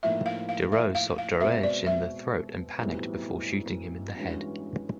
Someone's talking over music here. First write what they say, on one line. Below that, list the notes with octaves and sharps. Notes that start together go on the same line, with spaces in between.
Deroux shot Droege in the throat, and panicked before shooting him in the head.
A2 F3 A#3 D#4 E5
F5
F5
E5
F5
F5
B2 G#3 C4 E5
D5
E5
B1 A2 E3 G3 C4
G2 E3 G#3 C#4 F#4